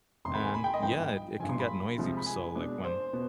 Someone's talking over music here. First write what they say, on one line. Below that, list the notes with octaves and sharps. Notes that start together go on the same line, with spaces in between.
and yeah, it it can get noisy but so, like, when
F1 F2 D#3 C6
B5
G#5
B5
G5
D#5
G#1 G2 F3 B3 D#4 G5
G#1 G2 F3 G#5
C6
B5
C2 C3 F3 G#3
B5
G#5
B2 G#3 D4
C5
B2 B3